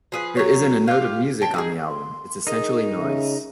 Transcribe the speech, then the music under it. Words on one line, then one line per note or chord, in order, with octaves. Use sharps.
There isn't a note of music on the album; it's essentially noise.
F3 G#4 B4
F#3 C#5
F4 G4
C#5 G5 A5
D#4 F#4 G#4
C6
D#4 G#4 A#4 D#5
C#3 E5